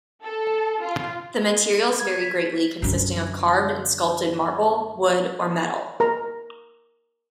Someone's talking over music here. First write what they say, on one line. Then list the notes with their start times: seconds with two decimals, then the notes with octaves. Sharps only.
The materials vary greatly consisting of carved and sculpted marble, wood, or metal.
0.24 A4
0.83 F4
2.00 G#6
2.21 B6
2.82 F#2 D3
6.00 A#4 A#5